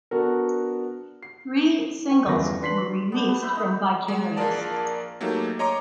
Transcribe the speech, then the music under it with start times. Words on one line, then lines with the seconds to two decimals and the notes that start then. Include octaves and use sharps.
Three singles were released from "Vicarious".
0.11 B3 D4 F#4 A4 A#4
1.23 C7
2.11 C5 G5
2.25 G1 E2 E3 F3 B5 A#6
2.61 D4 B4 C6 B6 C7 F#7
3.12 B3 D4 C5
3.28 B4
3.42 B4 E5 B5
3.56 D#4 B5
4.08 G#3
4.37 A#1 F4 G#4 A#4 D5 A5
5.21 F#3 A3 A#3 D#4 G4
5.59 C#5 D#5 A#5 C6 D6